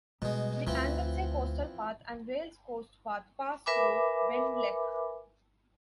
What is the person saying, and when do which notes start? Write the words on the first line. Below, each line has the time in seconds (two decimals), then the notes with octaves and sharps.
The Anglesey Coastal Path and Wales Coast Path pass through Benllech.
0.22 B2 G3 G#3
0.67 D2 E3 F3 C4
3.66 A#4 B4 E5 G#5 B5 D6